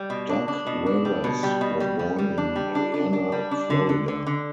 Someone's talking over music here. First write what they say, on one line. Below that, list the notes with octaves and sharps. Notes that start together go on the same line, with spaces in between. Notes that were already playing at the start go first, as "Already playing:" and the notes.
Doug Weathers was born in Marianna, Florida.
Already playing: G3
B2
D4
D4
B2
D4
G3
B2
G3
B2
G3
G3
G3
D4
G3
D4
D4
D4
G3
D4
D3
D3
D3
D3